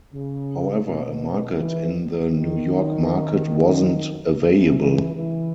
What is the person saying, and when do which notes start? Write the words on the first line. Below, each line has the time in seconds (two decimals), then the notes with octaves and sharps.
However a market in the New York market wasn't available.
0.14 C#3
0.86 B2
1.58 E3
2.28 D#3
4.44 E3
4.79 E3
5.15 E3